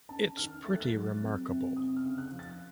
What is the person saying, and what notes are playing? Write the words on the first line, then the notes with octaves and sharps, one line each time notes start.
It's pretty remarkable.
C#4 A5
D#3 F6
A3 A6
F#6
A6
F#3
C4
C3
C4 D#6
F6
C#3
F#6
F3
A6